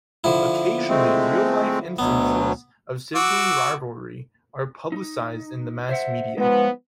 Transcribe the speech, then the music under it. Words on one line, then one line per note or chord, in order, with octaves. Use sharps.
Occasionally real life instances of sibling rivalry are publicized in the mass media.
D3 F3 E4
G#3 A3 C4
D2 B2 F#3 B3
F#4 D6 E6
D#4
C5 E5 F#5
F3 G#3 B3 D#4